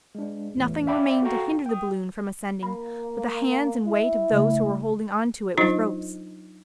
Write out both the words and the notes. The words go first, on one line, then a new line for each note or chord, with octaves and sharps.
Nothing remained to hinder the balloon from ascending but the hands and weight of those who were holding on to it with ropes.
G#3 D4
E2 A2 E3
D5 E5 F5 G5 B5 D6
F#4 A4 F5 G5 A#5 C#6
G5 D#6
A#3 B5
E4
C#3 A3
F#3 D4 D#4 F4 C5 D#5